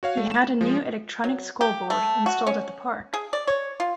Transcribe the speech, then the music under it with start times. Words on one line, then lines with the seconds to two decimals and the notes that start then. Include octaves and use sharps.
He had a new electronic scoreboard installed at the park.
0.03 F#4 C#5 F5
0.17 A3
0.31 E7
0.61 F3 G#3
1.24 F#3
1.61 G4
1.90 A3
2.26 F#4
2.47 C#4
3.14 G#4
3.33 D5
3.47 C#5
3.80 F4